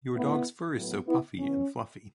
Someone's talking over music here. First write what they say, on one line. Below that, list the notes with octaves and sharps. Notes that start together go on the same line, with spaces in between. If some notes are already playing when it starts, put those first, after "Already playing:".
Your dog’s fur is so puffy and fluffy.
A2 A3 B3 E4
A2 F#3 B3
B3 E4
C#3 E3 B3 C#4